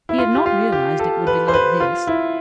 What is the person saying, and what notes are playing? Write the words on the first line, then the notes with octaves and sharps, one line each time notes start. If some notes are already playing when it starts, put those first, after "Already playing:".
He had not realized it would be like this.
E4
F4
G4
F4
G4
A4
B4
C5
B4
F4
E4